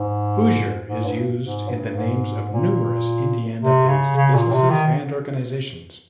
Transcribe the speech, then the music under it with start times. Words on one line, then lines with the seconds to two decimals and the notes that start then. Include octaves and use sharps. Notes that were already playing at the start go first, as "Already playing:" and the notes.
"Hoosier" is used in the names of numerous Indiana-based businesses and organizations.
Already playing: G#2
0.87 G#2
1.05 G2
1.41 G#2
1.68 G2
1.96 G#2
2.51 A#2
3.60 C3
3.88 C#3
4.16 C#3
4.34 A#2
4.52 C3
4.70 D#3